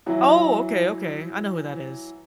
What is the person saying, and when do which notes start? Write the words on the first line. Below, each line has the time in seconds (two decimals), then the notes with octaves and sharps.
Oh, okay, okay, I know who that is.
0.06 E3 F#3 E4